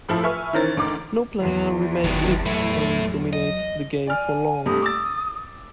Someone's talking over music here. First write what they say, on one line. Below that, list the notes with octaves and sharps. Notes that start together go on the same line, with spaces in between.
No player remains "it" and dominates the game for long.
A2 F3 E4 A4
B4 E5 G#5 C#6 F6
D#3 E3 C#4 A#4 C5 A6
D2 D#4 D6
E2
G1 D#3 F#3
F#3 A3 E4
D#5
D5 G#5 F6
G2 C3 A3 D#6
D6 E6 A6